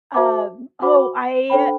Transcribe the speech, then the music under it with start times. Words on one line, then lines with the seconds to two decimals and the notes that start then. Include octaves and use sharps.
um oh, I
0.14 F#4 C5 E5 A5 D6
0.82 F#4 C5 F#5 B5 D6
1.50 D4 A4 C5 G5 B5